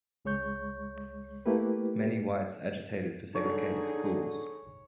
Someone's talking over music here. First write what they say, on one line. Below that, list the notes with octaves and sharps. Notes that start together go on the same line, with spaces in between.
Many whites agitated for segregated schools.
C#2 G#3 C#5 C#6 G6
A3 A#3 E4 G4 B4
D3 D#4 G#4 C#5